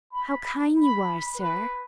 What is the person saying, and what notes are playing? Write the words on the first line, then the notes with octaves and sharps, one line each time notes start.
"How kind you are, sir!"
B5
B5
B4